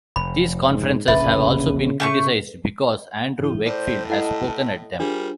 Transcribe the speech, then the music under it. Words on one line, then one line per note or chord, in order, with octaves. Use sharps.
These conferences have also been criticized because Andrew Wakefield has spoken at them.
F1 B5
G#2
F1 A#1 E2 C#3 B4 E5
C#3 A3 G#5 C#6
G#2 E3 E4
A2 C5 D5
E4 A4 C#5 D#5 F#5 A5
G3 D4 F4 G#4 A#4 C5